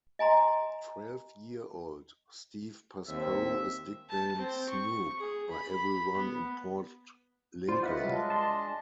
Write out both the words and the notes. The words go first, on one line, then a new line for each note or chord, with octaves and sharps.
Twelve-year-old Steve Pascoe is nicknamed 'Snook' by everyone in Port Lincoln.
D#5 G#5 A#5 C6
D#2 C4 E5
A5
C4
C#6
G#4
B5
B3
E4 F4 C5 D5
F4 B4 D#5 E5 F#5
C3 F#3 G3
G#3 D4 D#5
A5 C6